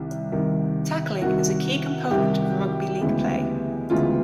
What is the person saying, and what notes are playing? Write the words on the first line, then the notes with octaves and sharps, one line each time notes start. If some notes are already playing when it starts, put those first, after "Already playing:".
Tackling is a key component of rugby league play.
Already playing: C2 C3 D#3
C2 C3 D#3
C2 C3 D#3 F#4
C2 C3 D#3 G4
D2 C#3 E3 G#3 B3
D2 C#3 E3 G#3 B3 F4